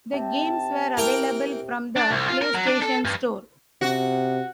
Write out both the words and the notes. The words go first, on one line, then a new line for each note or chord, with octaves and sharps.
The games were available from the PlayStation Store.
C3 A5
E3 A#4 G5
D4
C2
F4
A#4
F#3
D4
A4
G2
C3 F#4